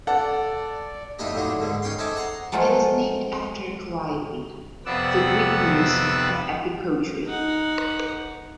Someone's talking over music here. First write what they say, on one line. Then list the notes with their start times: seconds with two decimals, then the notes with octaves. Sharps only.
It is named after Calliope, the Greek Muse of epic poetry.
0.07 A4 D5 F#5
1.19 F2 A2 D4 D#4 G4 D#5
1.36 A2 D3 F#3 D4 D#4
1.59 G#2 D3 D#3
1.82 C#4 D#4 G5 C6
1.98 A4 C5 D#5 E5 G#5 D6
2.16 F#5 A#5 C6
2.52 F3 F#3 G#3 A3 F4 G#4
4.86 F2 C3 B3 D5 F#5 E6
7.25 D#4 F#5